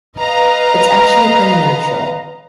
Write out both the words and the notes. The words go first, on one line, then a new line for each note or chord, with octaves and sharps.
It's actually pretty natural.
B4 D#5 F5 A#5